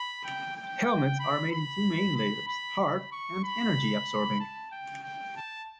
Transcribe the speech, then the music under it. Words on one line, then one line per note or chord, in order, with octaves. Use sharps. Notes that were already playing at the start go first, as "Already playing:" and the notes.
Helmets are made in two main layers: hard and energy-absorbing.
Already playing: B5
G5
G5
B5
B5
B5
B5
B5
C#6
B5
A5
G5
G5
A5